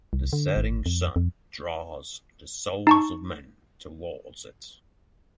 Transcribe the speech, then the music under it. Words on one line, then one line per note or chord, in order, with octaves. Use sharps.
The setting sun draws the souls of men towards it.
C2
D3
G#1
F2
F2
D#4 A5 C#6